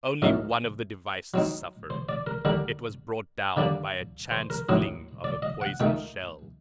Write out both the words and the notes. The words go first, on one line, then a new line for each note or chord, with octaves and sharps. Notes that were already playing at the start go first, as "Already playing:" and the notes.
Only one of the devices suffered; it was brought down by a chance fling of a poison shell.
A2 F#3 A3 D#4 A#4
F#3 C4 D#4
C5
D5
A#4
D3 G3 D4 A#4
D3 G3 A#3 D4 D5
C5
A#4
A2 F#3 C4 D#4 D#5
D5
D#5
F#5
A#2 A3 D#4 G5